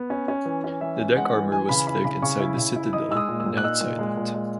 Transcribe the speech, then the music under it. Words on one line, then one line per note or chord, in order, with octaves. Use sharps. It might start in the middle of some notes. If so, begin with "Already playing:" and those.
The deck armor was thick inside the citadel and outside it.
Already playing: B3
C#4
C#4
E3
C#4
E3 E5
C#4
G#3 F#5
E3
E3 G#5
C#3 B5
E4 B5
C#3 B5
C#3 C#6
E4
C#3
E4
D#4 D#6
G#3 E6
D#6
A#2
E6
A#2
F#6
D#4 E6
A#2
G#3
A#2
G#3